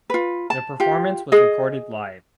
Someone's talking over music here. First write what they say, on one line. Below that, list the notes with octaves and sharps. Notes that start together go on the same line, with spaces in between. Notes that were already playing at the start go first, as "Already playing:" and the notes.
The performance was recorded live.
F4 B4
A5
F4 G4
G#4 D#5